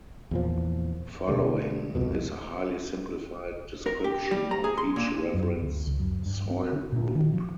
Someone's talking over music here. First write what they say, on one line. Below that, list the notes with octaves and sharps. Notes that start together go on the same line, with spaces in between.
Following is a highly simplified description of each reference soil group.
E2 A#2 F3
B2 D3 G3 A3
C2 F2 B2
A#4
G4
G3
A#5
G#4
C6
A#2
F#2
D2
C#2
F#2
G2
C4
D3
A#2
D#3
F3